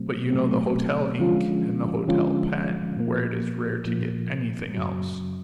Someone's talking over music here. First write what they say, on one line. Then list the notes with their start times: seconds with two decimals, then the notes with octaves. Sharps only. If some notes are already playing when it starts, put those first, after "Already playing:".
But you know the hotel ink and the hotel pen, where it is rare to get anything else.
Already playing: B2 F#3 A3 C4
0.30 B2 F#3 A3 C4
1.19 D3 F3 G#3 C#4 F4
2.08 D3 F3 G#3 C#4 F4
2.97 A#2 F3 A#3
3.86 A#2 F3 A#3
4.74 F#2 C#3 F#3